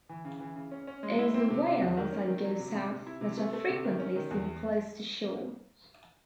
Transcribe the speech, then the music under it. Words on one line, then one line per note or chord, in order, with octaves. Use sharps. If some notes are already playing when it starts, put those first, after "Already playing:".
It is the whales that go south that are frequently seen close to shore.
E3
C#3
E3
C#3
C#4
C#4
G#3
E4
C4
C3
C3
E2
D#3
C#4
D#3
F#3
C3
C3
C3
E4
C3
A3
A3
C3
D#3
C#4
D#3
E2